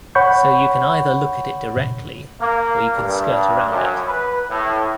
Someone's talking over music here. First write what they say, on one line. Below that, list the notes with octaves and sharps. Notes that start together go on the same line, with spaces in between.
So you can either look at it directly or you can skirt around it.
C#5 F#5 B5 C#6 G6
A#3
G2
F#2
B4
A2